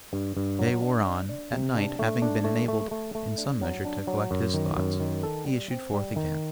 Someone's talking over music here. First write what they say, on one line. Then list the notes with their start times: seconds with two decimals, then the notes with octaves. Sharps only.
The day wore on; at night, having been enabled in some measure to collect his thoughts, he issued forth again.
0.13 G2
0.37 G2
0.59 F#3
0.82 D4
1.05 D4
1.29 D4
1.52 C3
1.75 D4
1.99 A3
2.22 D4
2.44 A3
2.68 A3
2.91 A3
3.15 A3
3.38 D4
3.61 F#3
3.85 D4
4.07 F#3
4.31 F#2
4.54 D#3
4.77 F#2
5.00 D#3
5.23 A4
5.47 G3
5.71 C4
5.93 G3
6.16 D#3